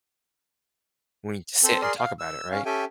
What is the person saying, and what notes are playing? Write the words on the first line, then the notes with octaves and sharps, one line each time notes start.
we need to sit and talk about it. Right?
C4 A4 C5
G#4 A#4 D5 C6
F5
E6
C#4 F5
C#4 G4 A4 E5 G5 G#5